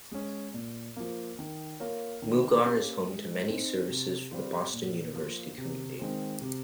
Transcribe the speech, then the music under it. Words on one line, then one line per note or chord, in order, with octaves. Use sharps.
Mugar is home to many services for the Boston University community.
G#3 C#4
A#2
F3 A#3
D#3
A#3 F4 A#4 C#5
D#3
A#3 C#4 G4
G#3
C4 D#4 G#4
C3
G3 C4 F4 C5
A#2
F3 A#3 F4
C3
D#3 G#3 C4
C3